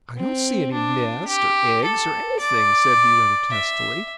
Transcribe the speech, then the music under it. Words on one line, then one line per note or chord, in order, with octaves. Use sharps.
"I don't see any nest or eggs or anything," said he rather testily.
C4
D4
G4
A4
D5
E5